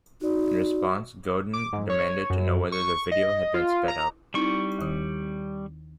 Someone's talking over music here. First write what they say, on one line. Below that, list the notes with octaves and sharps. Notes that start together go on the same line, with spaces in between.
In response, Godin demanded to know whether the video had been sped up.
D#4 F#4 D5
D6
G#2
C#5
F#2
C#6
D#5
F4
A#5
G3 C4 D#4 E4 C#6
D#2 D#3